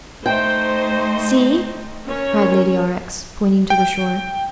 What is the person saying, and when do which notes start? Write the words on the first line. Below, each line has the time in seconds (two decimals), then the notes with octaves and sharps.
"See!" cried Lady Aurex, pointing to the shore.
0.26 A3 D#4 C5 G5
2.07 C#4 A#4 C#5
3.70 G5